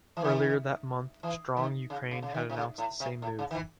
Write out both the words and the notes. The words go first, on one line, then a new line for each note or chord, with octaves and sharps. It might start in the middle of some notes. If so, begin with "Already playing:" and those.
Earlier that month Strong Ukraine had announced the same move.
E3
D#3
E3
D#3
C#3
C#3
C#3
D#3
C3
C#3
A2
C3
A2
C#3
D#3
E3